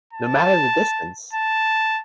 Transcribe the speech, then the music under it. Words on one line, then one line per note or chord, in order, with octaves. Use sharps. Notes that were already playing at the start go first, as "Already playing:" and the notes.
no matter the distance,
A5
A5